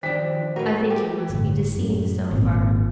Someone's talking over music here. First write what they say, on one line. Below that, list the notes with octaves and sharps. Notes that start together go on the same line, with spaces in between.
I think you must be deceived so far.
D#3 F3 D4 G4 C5 B6
A2 F#4 A#4 B4
G4 G#4
G1 A2
F#2 A2
G#1 A#2 C4